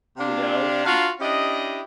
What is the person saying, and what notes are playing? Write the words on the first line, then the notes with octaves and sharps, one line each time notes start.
you know, i
C3 D4 F5
D4 F4 F#4 F5 A5 A#5
C#4 D4 E4 G4 D#5